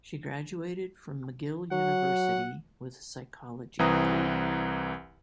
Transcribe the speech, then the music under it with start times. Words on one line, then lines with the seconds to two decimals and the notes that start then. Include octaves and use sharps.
She graduated from McGill University with a Psychology degree.
1.71 F#3 F#5
3.79 C2 E3 C4 B4 A#5 D#6